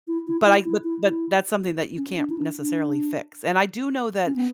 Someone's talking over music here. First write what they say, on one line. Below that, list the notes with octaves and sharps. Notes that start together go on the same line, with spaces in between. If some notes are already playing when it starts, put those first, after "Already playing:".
But I but but that's something that you can't necessarily fix, and I do know that,
E4
E4
E4
E4
E4
E4
C#4
D4
E4
D4
D4
C#4
B3